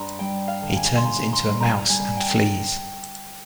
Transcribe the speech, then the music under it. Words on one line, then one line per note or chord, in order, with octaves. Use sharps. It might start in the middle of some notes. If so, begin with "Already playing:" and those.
He turns into a mouse and flees.
Already playing: G2 A#5 C6
G3 G5
F5
D3
G#5
C6
G#2 A#5
C6
G3
A#5
A#5
G3 G#5
G5